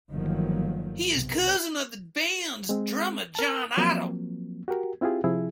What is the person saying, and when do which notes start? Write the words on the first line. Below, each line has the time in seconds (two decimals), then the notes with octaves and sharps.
He is the cousin of the band's drummer, John Otto.
0.12 G1 D#3 F3 F#3 A#3
1.13 B1 C3
2.69 G#3 C4
3.35 A#4 A5
3.77 F3 F#3 A#3 C4
4.68 F#4 G4 A#4
5.01 C4 E4 F4 G4 G#4
5.24 C3 F3 E4 G#4